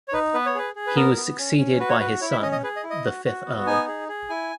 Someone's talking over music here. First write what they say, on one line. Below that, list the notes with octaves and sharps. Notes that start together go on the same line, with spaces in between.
He was succeeded by his son, the fifth Earl.
C#5
D#4 B4
B3 B4
C#5
G#4 B4
G#4
B4
B3 A#4
B3
C#4
C#4
F#4 B4
C#5
F#4 B4
E4 C#5
E5
C#4 D#5
D#5
G#4 B4
D#5
E4
D#5
F#4
F#4
B3
D#4 G#5
G#4
G#4
E4 G#5